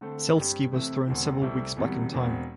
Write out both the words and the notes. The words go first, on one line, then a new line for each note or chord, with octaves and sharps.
Seleski was thrown several weeks back in time.
D3 A3 C4 A4
G2 G3 C4 G4
C3 E3 A3 C4 E4
E1 E2 D3 C4 E4
C2 C3 A3 C4 E4
E1 E2 C3 E3 G3
E1 E2 E3 C4